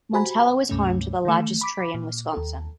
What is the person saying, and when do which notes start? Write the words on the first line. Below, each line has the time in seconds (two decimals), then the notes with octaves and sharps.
Montello is home to the largest tree in Wisconsin.
0.14 F#4 G4 C5 G#5 A#5 B5
0.69 C#2 G2 C3 A3 C#4
1.25 D#3 E3 A3
1.61 B5 D6 B6
1.94 A#2
2.33 D#2 A4